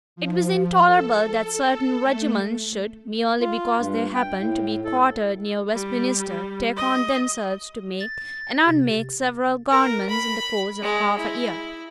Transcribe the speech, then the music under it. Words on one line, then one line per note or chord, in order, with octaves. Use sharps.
It was intolerable that certain regiments should, merely because they happened to be quartered near Westminster, take on themselves to make and unmake several governments in the course of half a year.
F3
A4
A3
F4
G2
G5
A2
A4
G3
G3
D#5
A6
C3
A#4
B5
G#3
E4